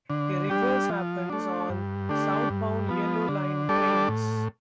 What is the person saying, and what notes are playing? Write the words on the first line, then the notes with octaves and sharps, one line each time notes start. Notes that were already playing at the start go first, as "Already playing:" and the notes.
The reverse happens on southbound Yellow Line trains.
D3
G3 D4 G4
F3
A3 D4
G2
D3 A3 D4 G4
G2
F3 B3
D3
G3 D4 A4 D5
A2